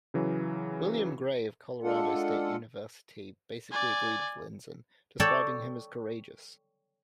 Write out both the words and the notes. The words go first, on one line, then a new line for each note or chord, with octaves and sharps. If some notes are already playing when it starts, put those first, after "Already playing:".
William Gray of Colorado State University basically agreed with Lindzen, describing him as "courageous".
C#3 E3 F#3
G#3 D4 F4 A4 F#5
D5 G#5
A4 C#5 D5 G5